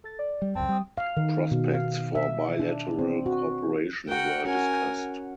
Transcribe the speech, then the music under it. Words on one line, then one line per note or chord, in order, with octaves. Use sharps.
Prospects for bilateral cooperation were discussed.
A4 A6
D5
G3
C#2 F#2 C4 A5
G3 G5 D#6
F5
D#3
B2
F5
E5
D4
C4
F#4
F#4 A#4 F#5 G5
C#4 F#4 A#4 G#5